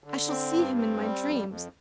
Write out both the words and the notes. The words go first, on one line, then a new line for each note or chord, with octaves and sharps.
I shall see him in my dreams.
D3
C4
G2
C4
G3
F2
F2